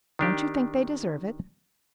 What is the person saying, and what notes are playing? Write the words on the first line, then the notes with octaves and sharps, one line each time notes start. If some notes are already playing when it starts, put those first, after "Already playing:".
Don't you think they deserve it?
D#3 D4 G4